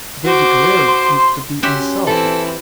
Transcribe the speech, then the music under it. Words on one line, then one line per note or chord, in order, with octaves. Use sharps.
They declared it to be insulted.
F#4 C5 D6
C6
C#4 F#4 G4 E5 C6
E3 C4 E4 A4